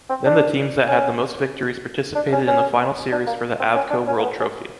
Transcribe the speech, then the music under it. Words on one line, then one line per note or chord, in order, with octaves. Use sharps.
Then the teams that had the most victories participated in the final series for the Avco World Trophy.
C4
D4
C#4
D4
C#4
C#4
D4
A#3
C4
C#4
D4
C#4
A#3
B3
C#4